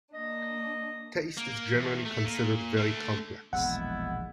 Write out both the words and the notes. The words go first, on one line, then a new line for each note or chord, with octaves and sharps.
Taste is generally considered very complex.
A#3 D4 D#5
A#3
E2
A3
A#2
A3 D4
E1 A#1 G3 G#3 B3 E4 F#5